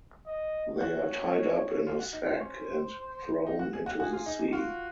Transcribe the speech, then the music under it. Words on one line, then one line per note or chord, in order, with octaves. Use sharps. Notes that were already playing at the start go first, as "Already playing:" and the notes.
They are tied up in a sack and thrown into the sea.
D#5
F#4 C#5
F4
F#4
D#4
F4
C#4 C5
D#4
F#4
G#4
F#4
F#4 G#4
F4
D#4
D#4
F4 F#4